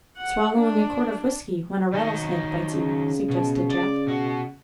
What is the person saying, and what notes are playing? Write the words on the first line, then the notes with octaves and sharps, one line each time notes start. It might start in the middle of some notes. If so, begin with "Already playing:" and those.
"Swallowing a quart of whiskey when a rattlesnake bites you," suggested Jack.
F#5
D4
D#3 F#3 D#4
C#3
B2
D5
B2 F#4